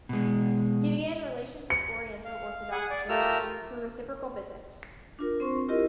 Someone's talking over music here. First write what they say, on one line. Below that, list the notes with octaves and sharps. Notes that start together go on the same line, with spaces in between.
He began relations with Oriental Orthodox churches, through reciprocal visits.
B2 G#3
C#7
F5
G#4 F#5 G#5
D5
A3 F4 G4 A#4 E6 F6
D4 F4 A#4
C4 C5 C6 C#6
E4 F4 G4 A#4 D#5